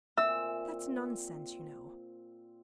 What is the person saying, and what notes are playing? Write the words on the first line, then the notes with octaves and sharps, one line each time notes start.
"That's nonsense, you know."
A#2 C4 E5 G#5 E6